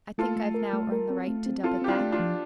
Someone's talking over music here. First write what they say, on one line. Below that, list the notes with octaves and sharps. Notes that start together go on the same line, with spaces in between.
I think I've now earned the right to dub it that.
A3 F4 A4
A3
A#4
A3
A#4
C4
A3
C4
C4 F4 A4
C4 G4
D4 F4
A3
D4 F4
F3